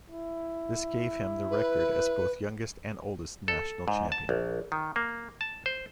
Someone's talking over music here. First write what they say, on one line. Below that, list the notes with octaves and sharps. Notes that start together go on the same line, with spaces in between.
This gave him the record as both youngest and oldest national champion.
E4
B4
A4
G#2
A5
A#1
D#3
A#3
A5
C5